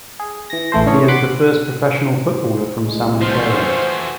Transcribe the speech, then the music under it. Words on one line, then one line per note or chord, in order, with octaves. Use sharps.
He is the first professional footballer from San Antero.
G#4
E3 A#6
A1 E3 A3 A4 C5
D3 E3 C#4 G#4 C#6
F#5 B5 C6 D6
G#2 C5
C2 G#3
E3 F3 A3 F#4 C5 C6 F6